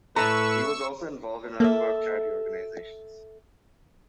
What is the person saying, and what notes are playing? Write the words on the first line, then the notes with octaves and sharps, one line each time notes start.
He was also involved in a number of charity organisations.
A2 A3 B4 A5 A#5 C#6 E6
A#3 A4 E5